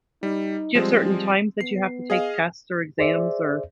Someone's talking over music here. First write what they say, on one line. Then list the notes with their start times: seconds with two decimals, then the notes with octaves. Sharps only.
do you have certain times that you have to take tests or exams or
0.23 G3 D#4
0.75 F3 G3 G#3 C4
1.61 B3 C7
2.10 G#4 D#5 F5
2.99 G#4 C5 D5 E5